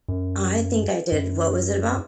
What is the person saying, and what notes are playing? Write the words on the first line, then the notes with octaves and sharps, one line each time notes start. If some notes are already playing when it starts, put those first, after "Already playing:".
I think I did. What was it about?
F#2
F#2